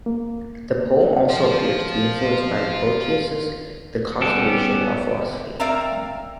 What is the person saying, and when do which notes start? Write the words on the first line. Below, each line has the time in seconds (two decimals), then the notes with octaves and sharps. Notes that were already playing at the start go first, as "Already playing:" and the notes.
The poem also appears to be influenced by Boethius's "The Consolation of Philosophy".
0.06 A#3
1.29 F4 C5
4.22 G3 B3 C#4 G4 A4
5.60 C4 A#4 D5 E5 F5 A#5